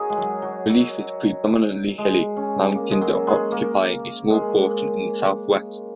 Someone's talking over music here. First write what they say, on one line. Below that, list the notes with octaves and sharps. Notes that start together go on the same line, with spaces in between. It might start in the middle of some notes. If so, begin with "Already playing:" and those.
The relief is predominantly hilly, mountains occupying a small portion in the south-west.
Already playing: D#4 F#4 G#4 A#4 C#5
G#3
F#3
F#3
F#3
G#3
C#4
A#3
G#3
F#3
G#3
A#3
G#3